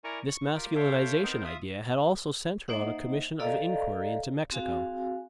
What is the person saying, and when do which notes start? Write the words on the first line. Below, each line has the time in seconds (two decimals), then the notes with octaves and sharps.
This masculinization idea had also sent her on a commission of enquiry into Mexico.
0.04 E4 A#4 D5 G#5 A#5 C#6
0.27 C#6
0.55 F4 G4 A#4
0.75 A4 C5 C#5 E5 F5 G5
1.22 B3 C4 D#4 A#4 C5
1.44 F4 E5 D#6
2.68 A#3 D#4 C5 D#5 E5 F#5
3.40 A4 D5 D#5 F5 A#5
4.51 C4 F#4 G#4 F5 G#5